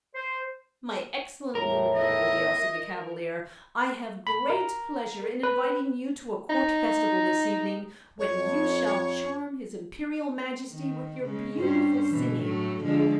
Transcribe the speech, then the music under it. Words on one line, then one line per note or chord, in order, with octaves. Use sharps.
"My excellent little Nightingale," said the Cavalier, "I have great pleasure in inviting you to a court festival this evening, when you shall charm his Imperial Majesty with your beautiful singing."
C5
E2 A2 A#4
D#5 E5
B5
A#4
B4
D#4
F2 C#5
D#3
C#3 G#3
G2 C#4 C5
B2 D3 E3
A2 F#3 A3
D3 F3 G#3